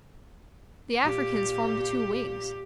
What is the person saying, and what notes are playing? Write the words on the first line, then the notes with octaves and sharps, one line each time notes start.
The Africans formed the two wings.
A#2 G4